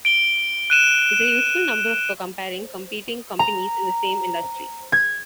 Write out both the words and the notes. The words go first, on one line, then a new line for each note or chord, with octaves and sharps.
It's a useful number for comparing competing companies in the same industry.
D7 G7
F#6 D#7 E7
A#5
G#6